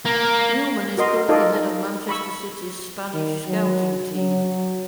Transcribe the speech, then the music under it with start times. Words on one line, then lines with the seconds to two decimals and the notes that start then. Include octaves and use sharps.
Newman is currently head of Manchester City's Spanish scouting team.
0.05 A#3
0.98 F#4 A#4 D#5 C6
1.29 D#4 F4 A4 A#4 D5 D#5
2.09 B5 C#6 E6
3.14 D#3
3.47 F#3
4.16 F#3